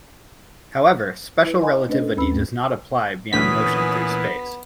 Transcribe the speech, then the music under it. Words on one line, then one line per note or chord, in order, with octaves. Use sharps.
However, special relativity does not apply beyond motion through space.
E4 B4
B4 D#5 F#5 G#5 B5 C6
A3 C#4 D4 B4 C5 D#5
A4
D#2 C4 C#4 B4 B5 E6
G#2 A3
D2 A#2 E3 B3 C#4 D#6 B6